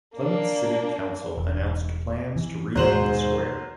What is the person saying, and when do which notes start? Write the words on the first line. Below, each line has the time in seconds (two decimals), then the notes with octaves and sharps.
Plymouth City Council announced plans to rename the square.
0.15 A#3 D4
1.38 E1
2.36 E3
2.76 D#2 G#2 B2 F#3 G#3 C5 F#7